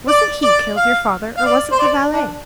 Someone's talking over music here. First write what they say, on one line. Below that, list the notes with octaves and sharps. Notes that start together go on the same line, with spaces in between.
Was it he killed your father or was it the valet?
D5
D5
F5
F5
D5
C5
D5
D4